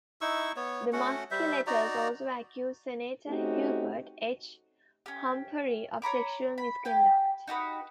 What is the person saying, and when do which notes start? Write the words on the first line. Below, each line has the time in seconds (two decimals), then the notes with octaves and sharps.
The Muskie letters also accused Senator Hubert H. Humphrey of sexual misconduct.
0.21 D#4 E4 C#6 E6
0.56 B3 C#5
0.93 A3 C#4 F#4 F#5
1.31 G3 C5 E5
1.67 D#4 F#4 D5 A#5
3.27 A3 C4 C#4 D#4 F#4 G4
5.06 C#4 G4
6.02 C#5 A#5 B5 D6
6.58 B5
6.85 G4 G5 G#5
7.47 D#4 F#4 G4 B4